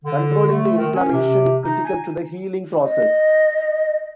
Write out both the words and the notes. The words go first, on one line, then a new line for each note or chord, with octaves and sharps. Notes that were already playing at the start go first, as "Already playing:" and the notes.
Controlling the inflammation is critical to the healing process.
D3
A3
D#3
C#4
C3
D#4
G#5
D#5